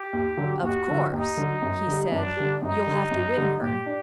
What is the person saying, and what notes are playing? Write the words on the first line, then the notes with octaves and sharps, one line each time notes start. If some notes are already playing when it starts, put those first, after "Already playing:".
"Of course," he said, "you'll have to win her."
Already playing: G4
D#2
D3 F#3
D#2 F#4
D3 F#3
D#2 D#4
D3 F#3
F#2
D3 G3
F#2 D4
D3 G3
F#2 D#4
D3 G3
F#2
D3 G3
A#2 G4
D4